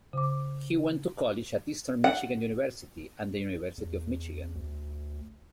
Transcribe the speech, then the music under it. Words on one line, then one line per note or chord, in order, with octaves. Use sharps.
He went to college at Eastern Michigan University and the University of Michigan.
C#3 D6
F#5
E2
D2